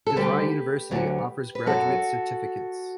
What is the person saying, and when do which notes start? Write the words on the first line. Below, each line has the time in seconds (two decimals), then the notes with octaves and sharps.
DeVry University also offers graduate certificates.
0.06 A4
0.16 D2 D3 G3 G4 B4
0.91 D2 D3 F#3
1.55 B4
1.66 F#2 F#3 F#4 A4